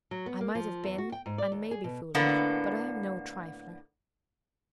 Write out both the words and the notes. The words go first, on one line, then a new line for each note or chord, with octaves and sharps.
I might have been and may be foolish; but I am no trifler.
F#3
B3
A#3
F3
E2
F#4
G5
G#2
D5
D#2
G#4
B2
A2 D3 A#3 B3